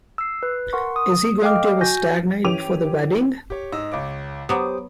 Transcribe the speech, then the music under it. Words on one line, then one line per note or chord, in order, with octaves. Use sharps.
Is he going to have a stag night before the wedding?
E6 C7
B4
A#4 F#5 C6 C#6
D#6
A4 D#5 F5 G5 D6 F6
F#4 G#5 G6 A#6
E3 C#4 G4 D6 D#7 F7
G4 C#5
G#2 D#5 E6
C#2 C#5 D6
F#3 B3 G4 C5 D6 D#6